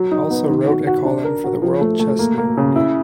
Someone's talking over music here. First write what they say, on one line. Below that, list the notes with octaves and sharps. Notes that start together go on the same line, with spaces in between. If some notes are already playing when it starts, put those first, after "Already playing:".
He also wrote a column for the World Chess Network.
Already playing: F#3
D#4
B3
D#3
F#4
F#4
D4
A#4
F#4
F3
A3
A3
A#3
A#3
C#3
E4